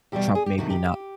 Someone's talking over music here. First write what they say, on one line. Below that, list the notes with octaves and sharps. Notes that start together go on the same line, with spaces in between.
Trump may be not
E2 B2 G3 G4
G#4
G4
F2 C3 D#3 F#4
G4